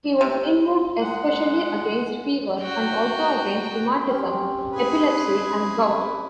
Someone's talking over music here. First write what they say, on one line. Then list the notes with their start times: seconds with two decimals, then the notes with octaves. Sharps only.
He was invoked especially against fever, and also against rheumatism, epilepsy, and gout.
0.21 C3
1.01 G#3 F#5
2.61 F#4 G5
4.08 C4 C#4 G4
4.73 E4 G#4 B4